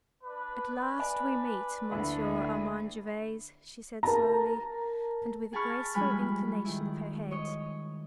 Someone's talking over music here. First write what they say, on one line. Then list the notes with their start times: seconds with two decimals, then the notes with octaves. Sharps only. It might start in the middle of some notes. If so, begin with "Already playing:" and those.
"At last we meet, Monsieur Armand Gervase!" she said slowly and with a graceful inclination of her head.
0.24 D4 B4
0.99 D5 G#5
1.92 D2 E4
4.03 A#4 A5 A#5
5.53 G#4 G#5 A5 B5 C#6 F6
5.94 F3 G3 G#3 G#5 B5 F6
6.65 D#3 E4
7.31 C#5 D#5